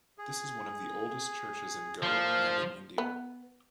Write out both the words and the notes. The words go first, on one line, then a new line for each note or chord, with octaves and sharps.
This is one of the oldest churches in Goa and in India.
G#4
A#2 F3 F5 A5
B3